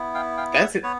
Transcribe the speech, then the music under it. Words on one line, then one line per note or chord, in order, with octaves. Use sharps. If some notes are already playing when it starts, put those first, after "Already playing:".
that's i
Already playing: B3 E4
F5 G5
F5 G5
G5
E5 F#5
B3 B4 C#5